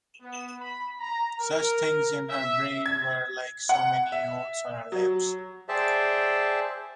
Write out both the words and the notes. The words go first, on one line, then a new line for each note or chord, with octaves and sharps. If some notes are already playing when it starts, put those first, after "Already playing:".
Such things in her brain were like so many oaths on her lips.
B3
B5
A#5
A#4
E5
G#6
F#5
E5
F#3
G#4 C5 D5 E5 G5 A5